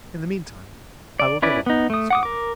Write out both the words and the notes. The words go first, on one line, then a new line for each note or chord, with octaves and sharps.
In the meantime, I will go on with my story.
D5
C#4 E4 B4 D5
B3 D#4
A3 D#6
F#5 D6 D#6
A#4 D6